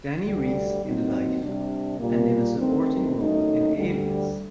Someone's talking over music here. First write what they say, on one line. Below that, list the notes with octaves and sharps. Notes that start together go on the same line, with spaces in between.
Dani Reese in "Life", and in a supporting role in "Alias".
D2 D3 G3
D#2 D#3 F#3 C4 D#4
C3 G3 D4
A#2 G3 A#3
G2 D#3 A3 C4
F#2 D#3 A3 D#4
D2 D3 G3